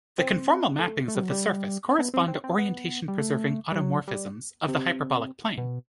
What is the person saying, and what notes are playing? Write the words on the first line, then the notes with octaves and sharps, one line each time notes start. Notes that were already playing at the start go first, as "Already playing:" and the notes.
The conformal mappings of the surface correspond to orientation-preserving automorphisms of the hyperbolic plane.
C4
A3
A3
G3
F#3
G3
B3
C4
C4
C4
B3
G3
A3
G3
F#3
G3
C3
B2